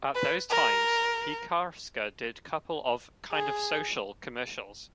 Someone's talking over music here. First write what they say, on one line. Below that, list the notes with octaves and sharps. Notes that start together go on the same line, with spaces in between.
At those times, Piekarska did couple of "kind-of social commercials".
B4
A#4
G#4